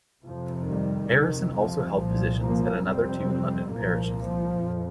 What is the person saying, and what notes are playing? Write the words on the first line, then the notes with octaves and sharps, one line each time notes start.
Harrison also held positions at another two London parishes.
F2 C3 F3
D#3 G3
F2 C3 D#3
F3
C2 A#2 F3
F3 A#3
F2 C3 G3 C4
C2 A#2 F3 A#3
F3
F2